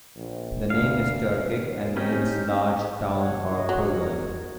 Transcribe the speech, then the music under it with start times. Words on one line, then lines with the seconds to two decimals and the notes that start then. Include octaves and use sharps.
The name is Turkic and means "large town or kurgan".
0.17 A#1
0.70 D2 F5
1.23 D#1
1.60 D#2
1.97 C4 C#4 D#4 G4
3.16 C#5 F#5
3.50 E4 F#4 D#5
3.69 F#3 A#4 C#5